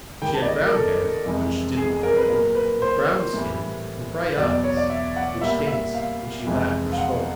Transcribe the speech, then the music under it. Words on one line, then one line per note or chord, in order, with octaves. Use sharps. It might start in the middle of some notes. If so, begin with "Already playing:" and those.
She had brown hair, which didn't curl, a brown skin, and bright eyes, which danced when she laughed or spoke.
G#2 D#3 G3 G5
A5
D5
D#5
A#4
A4
F2 C3 E3 G#3
G#4
G#4
A#4
B4
A#2 F#3 A#4
B4
C5
A2 E3 G3
E2 B2 F#3 D5
D5
C#5
D5
E5
F#5
A#2 G3 E5
E5
F5
F2 C3 E3 G#3
F5
F#5